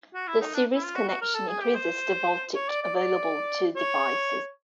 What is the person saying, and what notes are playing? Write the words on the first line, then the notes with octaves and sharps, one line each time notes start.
The series connection increases the voltage available to devices.
F#4
E4
D#4
D4
E4
F4
F#4
F#4
A#4
A4
G#4
G4
C5
C#5
D5
D5
D5
C#5